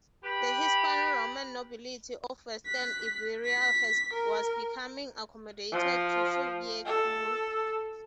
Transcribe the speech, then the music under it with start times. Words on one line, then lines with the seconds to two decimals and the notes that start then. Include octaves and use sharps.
The Hispano-Roman nobility of western Iberia was becoming accommodated to Suevic rule.
0.24 G4 B4 B5
2.66 F#6 B6
3.45 B6
4.13 A#4
5.72 F3
6.86 A4